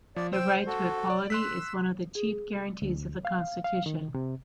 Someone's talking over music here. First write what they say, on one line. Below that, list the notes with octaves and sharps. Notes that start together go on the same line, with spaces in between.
The Right to Equality is one of the chief guarantees of the Constitution.
F3 D5
C5 G5 E6
F#4 A4
D5
C6 E6 F#6 B6
G#4
D2
F5
F5
D#3
C3